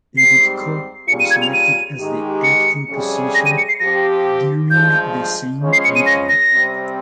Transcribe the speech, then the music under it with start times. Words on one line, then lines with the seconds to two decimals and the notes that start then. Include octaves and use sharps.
David Koh was elected as the acting position during the same meeting.
0.17 G#2 G3 C4 G4 C7
1.08 A#2 G3 C#4 F4 G#4 C#7
1.20 D#7
1.31 G#6
1.42 F7
1.53 D#7
1.98 D#3 G#3 D#4 G4
2.44 C#7
2.90 F2 C3 G3 C#4 G#4
3.35 A#6
3.46 D#7
3.58 C#7
3.68 C7
3.79 F3 C4 G4 A#6
4.70 G2 F3 G#3 G6
5.61 C#3 F3 G#3 C#4
5.73 C7
5.84 C#7
5.95 D#7
6.06 A#6
6.29 A#6
6.52 C3 G3 C4